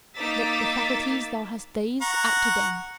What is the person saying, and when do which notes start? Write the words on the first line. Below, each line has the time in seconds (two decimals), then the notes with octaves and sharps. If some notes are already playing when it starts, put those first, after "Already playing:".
Let the faculties thou hast dazed, act again.
0.16 A#3 D#4 D6 E6 A6 B6
2.02 F#5 A#5 C#6